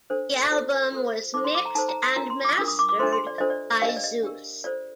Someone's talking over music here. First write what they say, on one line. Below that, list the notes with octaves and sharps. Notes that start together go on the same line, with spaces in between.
The album was mixed and mastered by Zeuss.
D4 A4 C5
F4 A4 C5
F4 A4 C5
D#4 A4 C5 D6
C6
D6
A#5
D#4 A4 C5 A5
A#5
C6
D4 F4 A#4 A#5
C6
D6
D4 F4 A#4 D#6
D#6
D6
D6
D4 F4 A4 C5 C6
C6
D5
D4 F4 A4 C5 D#5
D5
D4 G4 A#4 F5
D#5
D5
D#5
D4 G4 A#4
F4 A4 C5 D5